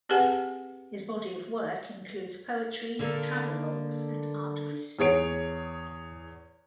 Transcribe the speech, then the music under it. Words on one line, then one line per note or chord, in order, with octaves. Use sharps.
His body of work includes poetry, travelogues, and art criticism.
C4 G4 G#4 B4 F#5 G#5
D3 A#3 A4
E2 G#4 C#5 D7